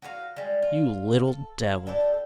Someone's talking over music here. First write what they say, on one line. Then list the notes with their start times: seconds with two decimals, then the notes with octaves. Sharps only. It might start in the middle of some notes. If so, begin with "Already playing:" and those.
"You little devil!"
0.02 F#4 B4 C#5 F5
0.36 G3 G#3
0.62 F4
1.27 A4
1.60 E4 F4
1.87 D4 E4 G4 A4